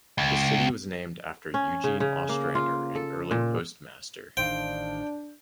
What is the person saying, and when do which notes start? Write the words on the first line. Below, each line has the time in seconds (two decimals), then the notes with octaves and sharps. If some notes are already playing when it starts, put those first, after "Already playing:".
The city was named after Eugene Ostrander, an early postmaster.
0.18 C#2
1.54 C#4
1.84 C#3
2.00 C#3
2.29 A#3
2.55 F4
2.95 A4
3.31 A#2
4.37 A1 D#3 D4 C5 F5 G5